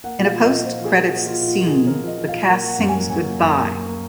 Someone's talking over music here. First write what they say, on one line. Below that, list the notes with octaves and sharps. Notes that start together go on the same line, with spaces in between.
In a post-credits scene, the cast sings Goodbye!
A#3 F#5
A#2
F5
F3
D#5
A#2
A#2 C5
F3
G#4
A#3
A#2 F#4
F3 F4
A#2
F4
A#3
G#4
A#2
F3 A#4
F3 D#5
F3
A#2 F5
A#3 F#5
A#3 F#5
F#2
G#5
A#3
F#2 G#5
A#3
F#2
A#3
A#3
A#3